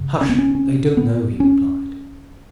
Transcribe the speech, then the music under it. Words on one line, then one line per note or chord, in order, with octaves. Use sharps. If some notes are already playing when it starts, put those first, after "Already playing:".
"Hush, they don't know," he replied.
Already playing: F#2 C#3
C#4
B3
C#4
C#4
B3
C#4